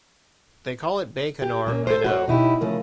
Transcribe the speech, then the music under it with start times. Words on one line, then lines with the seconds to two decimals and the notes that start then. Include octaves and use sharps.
They call it Baykonur, I know.
1.42 G4
1.66 A#2 A#3 C#4
1.87 A4 C5
2.04 F#4 B4 C#5
2.28 B2 D#4 E4 G4
2.61 C#3 F3 A3 A#4